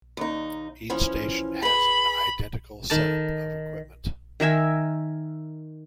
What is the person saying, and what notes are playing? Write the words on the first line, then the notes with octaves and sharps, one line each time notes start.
Each station has an identical setup of equipment.
D#2 D#4
E3 F3 C#4
G#4 B4 B5
D#3 A5
D#3 A#4 E5 G#5